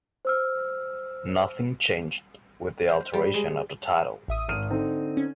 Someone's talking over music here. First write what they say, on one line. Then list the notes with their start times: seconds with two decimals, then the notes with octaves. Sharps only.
Nothing changed with the alteration of the title.
0.25 C5 E6 F6
2.89 C5
3.14 G3
3.34 G#3
4.28 A1 E5 D#6
4.48 G#1 F6 D#7
4.70 D3 C4 D#4
5.17 C#4